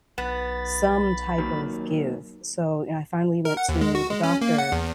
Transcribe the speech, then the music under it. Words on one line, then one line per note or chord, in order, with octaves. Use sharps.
some type of give. So, you know, I finally went to the doctor,
B1 B3 B5 A6
D#3 F#3 A#3
A#4
F#5
D#2
G#3
F#4
G#3
C#4
A#3
F#5
E2